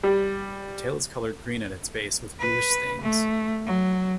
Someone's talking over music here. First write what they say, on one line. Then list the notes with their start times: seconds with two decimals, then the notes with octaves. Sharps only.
The tail is coloured green at its base, with bluish stains.
0.03 G3
2.39 B4
3.01 A3
3.66 F#3